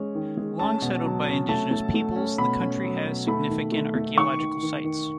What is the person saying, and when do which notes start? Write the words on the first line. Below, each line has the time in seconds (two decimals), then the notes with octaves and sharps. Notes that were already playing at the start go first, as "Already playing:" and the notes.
Long settled by indigenous peoples, the county has significant archaeological sites.
Already playing: G#3 C#4
0.15 D#3
0.37 G#3
0.59 C#4 A5
0.82 B2
1.04 F#3
1.27 C#4
1.48 A3 A5
1.71 A3
1.94 A3
2.16 C#4
2.38 B2 B5
2.61 C#4
2.84 F#3
3.05 B2
3.27 A3 B5
3.50 D#3
3.72 A3
3.95 A3
4.18 D#3 C#6
4.39 D#3
4.63 D#3
4.84 D#3